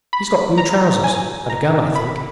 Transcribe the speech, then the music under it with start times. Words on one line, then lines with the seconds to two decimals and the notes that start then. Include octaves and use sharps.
He's got blue trousers, and a gun I think....
0.13 B5
0.58 A#5
1.04 G#5
1.50 A#5
1.95 B5